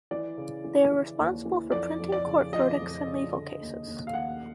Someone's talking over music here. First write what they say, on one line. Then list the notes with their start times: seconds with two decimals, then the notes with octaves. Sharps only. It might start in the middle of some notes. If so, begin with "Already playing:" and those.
They are responsible for printing court verdicts and legal cases.
0.11 E3 D5
0.38 C#3
0.64 E3
0.92 E3
1.18 D#2
1.45 E3
1.72 F2 D5
1.99 F2
2.12 D5
2.26 C#3
2.53 F3 D#5
2.80 F2
3.06 C#3
3.33 D3
3.61 D#2
3.87 D#2
4.07 F5
4.14 D#2 F#5